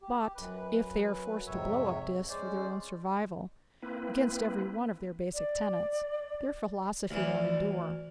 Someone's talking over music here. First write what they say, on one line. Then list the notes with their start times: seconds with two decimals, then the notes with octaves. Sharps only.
But if they are forced to blow up Dis for their own survival--against every one of their basic tenets--their philosophy won't endure.
0.01 G4
0.35 F#2 B4
1.47 F2 G#2 C3 C#5 E5
2.29 G#3 C#4 C5 D5
3.82 A#3 C4 E4 B4
5.34 D5
7.11 D2 E3 D5